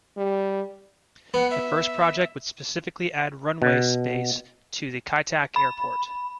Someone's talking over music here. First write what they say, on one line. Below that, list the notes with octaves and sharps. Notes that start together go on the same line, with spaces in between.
The first project would specifically add runway space to the Kai Tak Airport.
G3
B3 F#5
E5
B2
B5